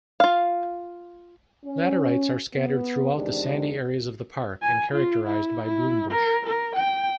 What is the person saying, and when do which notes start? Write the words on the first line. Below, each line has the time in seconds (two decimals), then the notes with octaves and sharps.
Laterites are scattered throughout the sandy areas of the park and characterised by broombush.
0.20 F4 F5
1.64 C#4
2.55 B3
3.14 E2 C3 D#3 G#3 D4
4.63 G#5
4.92 F4
5.27 E4
5.66 E4
6.11 A#4
6.46 A#4
6.76 G5